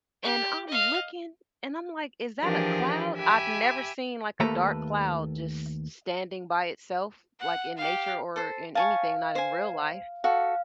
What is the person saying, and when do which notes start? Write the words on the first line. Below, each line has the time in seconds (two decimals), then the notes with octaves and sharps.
and I'm looking and I'm, like, "Is that a cloud?" I've never seen, like, a dark cloud just s standing by itself, like, in nature or in anything, not in real life.
0.23 G4
0.69 D#5 F5
2.41 E3 F3 D4 G4 G#4 A#4
3.16 G4 E5 G#5 B5
4.40 D#2 A3 A#3 A4 B4 A#5
7.40 F#5
7.77 G4 F5
8.36 A4 C5
8.75 C#5 F5 G#5 A5
9.35 C5 G#5
10.24 F#4 A4 F5